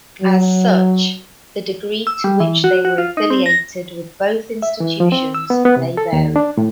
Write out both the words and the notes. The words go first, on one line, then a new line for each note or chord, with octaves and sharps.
As such, the degree to which they were affiliated with both institutions may vary.
F#3
E6
G3
E3
F#4
F#4
F4
D#4
C4
A#6
E5
E3
F3
C4
E6
B3
B3
C3
A4
D#2
D4
A2